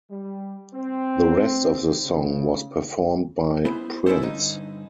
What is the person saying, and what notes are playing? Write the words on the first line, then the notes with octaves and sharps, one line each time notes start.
The rest of the song was performed by Prince.
G3
C4
C#3
B3 E4 G#4 C5
C#4 D#4 E4 G#4 A4 C5
G2 D3 D#4